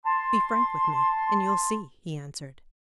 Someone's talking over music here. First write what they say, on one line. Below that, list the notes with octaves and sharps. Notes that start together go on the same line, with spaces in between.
"Be frank with me and you'll see," he answered.
A5 C6